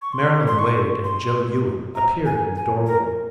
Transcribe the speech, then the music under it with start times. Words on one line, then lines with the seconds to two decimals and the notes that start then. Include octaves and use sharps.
Marylyn Wade and Joe Ewing appeared in the doorway.
0.02 C#6
0.13 C6
0.47 C6
0.59 C#6
1.04 C6
1.95 A#5
2.26 G#5
2.56 G#5
2.86 A#4